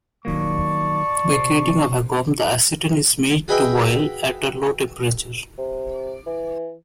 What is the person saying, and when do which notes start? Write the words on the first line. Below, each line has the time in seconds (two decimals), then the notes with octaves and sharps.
By creating a vacuum, the acetone is made to boil at a low temperature.
0.25 D#3 F#3 A#3 D5 A5 C#6
1.28 C3 C4
3.48 F#4 G#4 B4 D#5 E5 G5
5.58 C3
6.27 E3